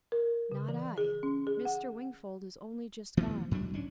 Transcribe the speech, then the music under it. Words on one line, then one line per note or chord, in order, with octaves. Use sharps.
"Not I! Mr. Wingfold is only just gone."
A#4
C#3
E3
G#4
C#4
G#4
F#5
E3 A3 B3
G#2 F#3 G3 D4
C2 C#4 D4